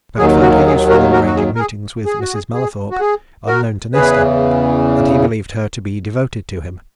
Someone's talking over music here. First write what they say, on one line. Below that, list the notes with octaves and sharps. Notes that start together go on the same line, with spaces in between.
Pratt found her useful in arranging meetings with Mrs. Mallathorpe unknown to Nesta, and he believed her to be devoted to him.
D#2 D#3 F#3 G#4
F#4
G#4
F#4 A#4
F#4 A#4
F#4
G#4
A#4
G#4
G#4
F#4
G#4
G#4
F#4
G#4
F#4 A#4
E2 C#3 E3 G#4 B4